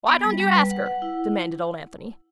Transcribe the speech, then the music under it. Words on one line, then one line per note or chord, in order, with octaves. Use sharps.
"Why don't you ask her?" demanded old Anthony.
B3
G3
G3
B4
F#5
F#5
E4